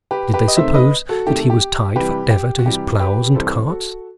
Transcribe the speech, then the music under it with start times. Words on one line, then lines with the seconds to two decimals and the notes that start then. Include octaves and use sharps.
Did they suppose that he was tied for ever to his ploughs and carts?
0.11 G4 B4
0.34 G4 B4
0.48 D#5
0.57 C3 D#3 A3 C5 E5
0.74 B4 D#5
1.09 F#4 A4
1.26 C3 D#3 A3 G4
1.37 A4
1.50 G4
1.96 C3 E3 G3 G4 B4
2.31 G4
2.59 F#4
2.65 C3 E3 G3 G4
3.00 G4 B4
3.35 C3 E3 G3 A4 C5
3.69 F#4 A4